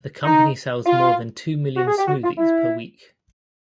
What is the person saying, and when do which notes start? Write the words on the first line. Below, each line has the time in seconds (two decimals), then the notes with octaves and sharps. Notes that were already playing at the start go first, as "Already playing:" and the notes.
The company sells more than two million smoothies per week.
0.25 D#4
0.86 F4
1.77 F#4
1.87 G#4
1.98 G4
2.07 F#4
2.23 F4
2.38 E4